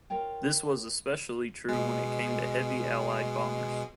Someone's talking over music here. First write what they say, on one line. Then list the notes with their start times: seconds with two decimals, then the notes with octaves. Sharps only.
This was especially true when it came to heavy Allied bombers.
0.10 F4 A#4 C#5 G5
1.69 B2 G#3